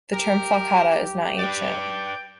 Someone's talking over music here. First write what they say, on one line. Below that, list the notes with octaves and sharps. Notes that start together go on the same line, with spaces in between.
The term "falcata" is not ancient.
G4 A#4
B4 D5 G5